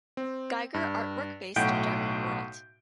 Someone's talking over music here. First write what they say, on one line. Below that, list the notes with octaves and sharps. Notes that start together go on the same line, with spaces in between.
Giger artwork-based Dark World.
C4
G2
B1 A2 F#5 G5 G6 D7